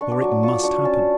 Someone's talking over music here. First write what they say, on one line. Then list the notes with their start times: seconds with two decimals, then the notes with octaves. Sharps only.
For it MUST happen.
0.01 D4 C#6
0.11 D6
0.21 F#3 C#6
0.31 D6
0.43 F4 C#6
0.53 D6
0.63 D4 C#6
0.85 C#4 A5